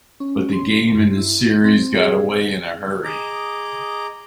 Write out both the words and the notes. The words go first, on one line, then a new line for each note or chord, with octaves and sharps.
But the game and the series got away in a hurry.
C#4
C6
G2
E4
C4
G#4
G#4 D#5 A#5 D6